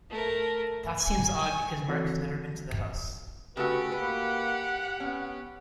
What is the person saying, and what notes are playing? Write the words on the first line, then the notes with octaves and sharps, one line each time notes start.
That seems odd because Mark has never been to the house.
A3 A#4
G#5
G#5
D#3 E3 C4 F#4 A4 C#5
C#3 A3 F#4 G4 B4
A#3 B4 F#5
B3 C#4